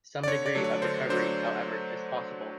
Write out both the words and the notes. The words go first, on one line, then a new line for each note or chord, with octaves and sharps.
Some degree of recovery, however, is possible.
D5
D3 C#5
D5
F#3 A3 D4
C#5
D3 C5
F#3 A3 D4 C5